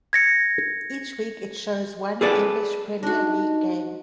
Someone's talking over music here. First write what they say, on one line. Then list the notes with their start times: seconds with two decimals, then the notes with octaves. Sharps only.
Each week it shows one English Premier League game.
0.13 G#6 A#6 C#7
2.21 G#4 A4 B4 D5
3.03 D4 D#4 F#4